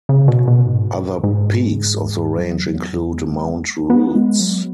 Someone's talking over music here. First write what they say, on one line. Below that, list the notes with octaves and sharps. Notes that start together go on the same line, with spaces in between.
Other peaks of the range include Mount Roots.
C#3
B2
B2
G#2
G#2
F#3
B3
G#3
B3
B3
G#3
F#3